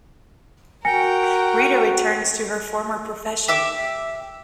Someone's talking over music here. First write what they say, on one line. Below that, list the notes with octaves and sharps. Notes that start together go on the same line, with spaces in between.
Rita returns to her former profession.
F#4 A#4 G5 G#5 A#6 C#7
G4 E5 D6